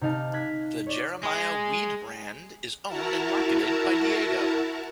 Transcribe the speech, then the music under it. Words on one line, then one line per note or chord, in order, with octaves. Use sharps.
The Jeremiah Weed brand is owned and marketed by Diageo.
C3 D#4 F5 A5
F#6 G#6 B6
C#5 D5
G#3
E4 F#4 A#4 A5 A#5